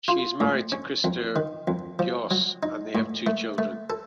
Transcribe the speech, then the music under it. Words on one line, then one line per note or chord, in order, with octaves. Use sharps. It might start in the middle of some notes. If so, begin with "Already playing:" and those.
She is married to Christer Kjos and they have two children.
F4
A2
C#4
F2
D#3
F2
F3
F#3
D#4
A2
A3
A3
A4